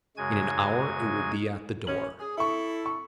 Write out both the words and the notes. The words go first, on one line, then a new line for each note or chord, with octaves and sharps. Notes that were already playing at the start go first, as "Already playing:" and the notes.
"In an hour it will be at the door."
F#2 C#3 G#3 F#4 G#5 G#6
F#2 C#4 F#7
G#4
E4 A4 E5 C#6
C#6